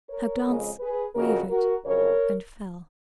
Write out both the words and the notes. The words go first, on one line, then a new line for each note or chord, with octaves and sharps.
Her glance wavered and fell.
A#4 C#5
F2 C#3 G#3
G#4 B4
F2 C#3 F3 F#4 A#4
F#4 A#4
F2 C#3 F#3 A#4 C#5